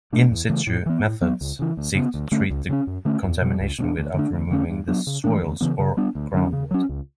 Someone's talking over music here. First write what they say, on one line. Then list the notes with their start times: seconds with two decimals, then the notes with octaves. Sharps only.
In-situ methods seek to treat the contamination without removing the soils or groundwater.
0.13 B2 A3 D4
0.31 E2
0.49 C#3 E3 A3
0.67 A2
0.86 E3 B3
1.03 A2
1.22 F#3 B3
1.41 C#2
1.59 C#3 E3
1.77 D2
1.95 C#3 E3 B3
2.14 D2
2.32 D3 A3 C#4
2.50 C#2
2.69 C#3 F#3 C#4
2.87 F#2
3.05 D3 A3 C#4
3.24 E2
3.41 B2 G3
3.60 C#2
3.79 B2 G3 D4
3.97 D2
4.14 D3 A3 D4
4.32 D2
4.51 D3 A3 C#4
4.70 G2
4.88 F#3 B3 D4
5.07 C#3
5.24 E3 A3 D4
5.43 D2
5.61 C#3 E3 B3
5.79 C#3
5.97 G3 B3 D4
6.15 D2
6.34 D3 F#3 C#4
6.53 C#3
6.71 F#3 C#4
6.89 C#2